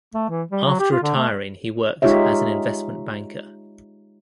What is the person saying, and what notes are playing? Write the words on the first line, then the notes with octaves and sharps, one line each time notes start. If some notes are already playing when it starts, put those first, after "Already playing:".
After retiring he worked as an investment banker.
A3
E3
G3
F#3
G4
F4
D3
A3
G#3 D#4 F4 G4 C#5 E5